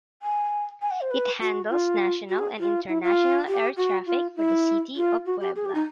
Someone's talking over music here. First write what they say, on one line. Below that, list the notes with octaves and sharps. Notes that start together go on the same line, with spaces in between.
It handles national and international air traffic for the city of Puebla.
G#5
G#5
F#5
C5
B4
F#4
F4
F#4
G#4
F4
E4
F4
G4
F#4
F4
E4
F4
F#4
G4
G#4
G4
D#4